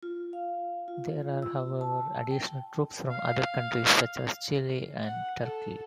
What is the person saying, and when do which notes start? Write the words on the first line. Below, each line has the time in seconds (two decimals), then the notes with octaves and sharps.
There are however, additional troops from other countries such as Chile and Turkey.
0.03 F4
0.33 F5
0.88 F4
1.42 E6
1.81 A5
2.31 G5
3.10 F5
5.05 F#5
5.42 A4